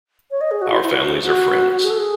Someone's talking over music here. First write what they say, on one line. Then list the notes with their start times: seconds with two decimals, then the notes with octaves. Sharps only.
Our families are friends.
0.31 C#5
0.41 D#5
0.51 G#4
0.62 F#4
0.72 E4
0.82 E4
0.92 F#4
1.13 G#4
1.22 F#4
1.83 G#4
1.90 A4
1.98 G#4